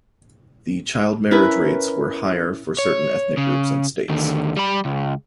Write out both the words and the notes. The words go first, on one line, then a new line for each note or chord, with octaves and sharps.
The child marriage rates were higher for certain ethnic groups and states.
C#4 E4 A#4 B4
C#5
C#3
D#2 D3
G3 B5
C#2